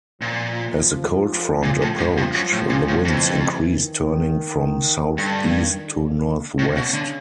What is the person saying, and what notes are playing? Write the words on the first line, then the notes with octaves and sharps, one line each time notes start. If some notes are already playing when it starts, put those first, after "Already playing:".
As the cold front approached, the winds increased turning from southeast to northwest.
A#2 F3
A#2 F3
A2
G#2
G2
F#2
A2
A#2
A2
F2 E3
D#3
G2 D3
D#3
D3
A2 C#3
B2
D3